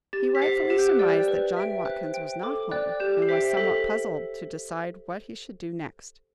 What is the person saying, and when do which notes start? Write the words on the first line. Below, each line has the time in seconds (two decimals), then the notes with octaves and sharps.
He rightfully surmised that John Watkins was not home and was somewhat puzzled to decide what he should do next.
0.13 G4 A6
0.35 B6
0.42 C5 F#5 C7
0.70 G4
0.78 G6
0.89 F#6
0.99 D5 G5
1.28 B4
1.56 E5 G5
1.85 C5 F#6
2.14 G5
2.43 A4 D6
2.71 D5 G5 F#6
3.00 G4 G6
3.22 C7
3.29 C5 E5 G5 B6
3.57 A4 B6